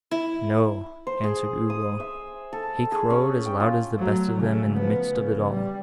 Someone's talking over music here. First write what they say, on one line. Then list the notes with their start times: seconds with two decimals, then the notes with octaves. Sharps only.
'No,' answered Ugo, 'he crowed as loud as the best of them in the midst of it all.
0.11 E4
1.07 C5
1.24 G#4
1.70 D#6
2.00 E5
2.53 A4
2.92 G#4
3.10 C#4
3.45 G5
3.60 F4
3.95 F#3 A3
4.40 C#3 A3
4.73 F3 B3
5.12 C#3
5.50 G3